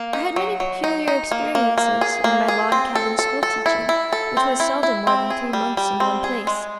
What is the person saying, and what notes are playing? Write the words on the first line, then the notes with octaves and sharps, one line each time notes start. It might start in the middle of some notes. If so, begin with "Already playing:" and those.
I had many peculiar experiences in my log-cabin school-teaching, which was seldom more than three months in one place.
Already playing: A#3
D#4
F#3
F#3
D#4
D#4
A#3
A#3
A#3
G#4
A#3
G#4
C4
A4
A4
A4
E4
E4
A4
C4
E4
E4
C4
G#4
G3
G3
C4
G#4
G#3